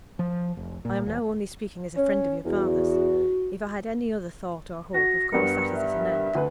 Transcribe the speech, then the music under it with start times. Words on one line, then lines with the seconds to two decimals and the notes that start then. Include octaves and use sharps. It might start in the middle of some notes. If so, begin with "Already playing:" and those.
I am now only speaking as a friend of your father's: if I had any other thought or hope, of course that is at an end.
0.19 F3
0.57 F1
0.85 A#2
1.07 E1
1.96 C#4
2.45 E2 F#4
4.94 F#4 A#6
5.32 G2 B3 A#4 C#7
5.75 E5
6.35 D2 B4